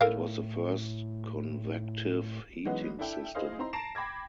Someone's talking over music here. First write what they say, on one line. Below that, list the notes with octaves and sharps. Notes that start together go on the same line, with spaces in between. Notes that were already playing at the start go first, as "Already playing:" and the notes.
It was the first convective heating system.
A2 A4 A#4 F5
E3 F#3 G#3 B3 C#4 D#4
D4 E4 A4 E5 G5
E4 G#4 C5 D#5 F5
C4 D#4 E4 A#5 C6
A5 A#5 A#6 C7 D7 E7
G5 B5 D6 G#6 A#6